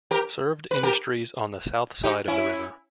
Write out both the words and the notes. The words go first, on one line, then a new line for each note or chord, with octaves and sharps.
Served industries on the south side of the river.
G4 A#4
B4
G4 A#4
D#4 G4
C#4 E4